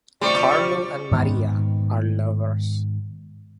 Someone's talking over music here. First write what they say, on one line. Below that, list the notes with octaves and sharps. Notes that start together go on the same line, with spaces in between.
Carlo and Maria are lovers.
D2 C3 F3 G3 D5 C#6
G#2 D#3 B3